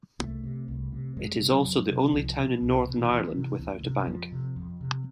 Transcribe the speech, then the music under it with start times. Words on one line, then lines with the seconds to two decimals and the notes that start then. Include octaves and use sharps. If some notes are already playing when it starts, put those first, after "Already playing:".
It is also the only town in Northern Ireland without a bank.
0.19 C2 A3
0.44 C3
0.68 C2
0.92 C3
1.17 F2 G#3
1.33 G3
1.40 C3
1.49 F#3
1.65 F2
1.89 C3
2.13 C2 F3
2.38 B2
2.62 C2
2.87 B2
2.99 D#3
3.10 D2 E3
3.35 C3
3.59 D2
3.83 C3
4.00 F#3
4.07 F2 F3
4.32 C3
4.56 F2
4.81 C3